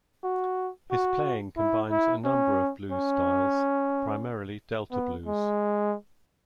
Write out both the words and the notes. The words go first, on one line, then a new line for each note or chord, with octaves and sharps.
His playing combines a number of blues styles, primarily Delta blues.
F#4
F#4
E4
E4
C#4
C#4
B3
G#3